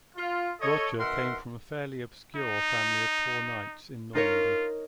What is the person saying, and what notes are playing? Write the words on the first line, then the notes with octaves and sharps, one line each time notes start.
Roger came from a fairly obscure family of poor knights in Normandy.
F4
A4 C#5 D#5
B2 D#3 A#4 E5 F#5 C6
D#4
D#4 F4 A#4 C#5